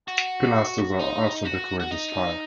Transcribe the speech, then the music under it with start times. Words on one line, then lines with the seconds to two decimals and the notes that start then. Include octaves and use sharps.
Pilasters also decorate the spire.
0.08 F#4
0.99 D#4
1.45 F#4
1.80 F#4
1.91 D#4